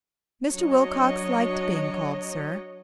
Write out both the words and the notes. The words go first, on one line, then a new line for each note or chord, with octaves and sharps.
Mr. Wilcox liked being called sir.
F#3 D4 C#5 D#5